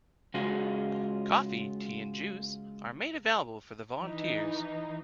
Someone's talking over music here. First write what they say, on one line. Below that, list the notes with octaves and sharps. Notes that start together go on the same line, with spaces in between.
Coffee, tea and juice are made available for the volunteers.
C#3 G#3 F4 F#4 G#4
E3 D#4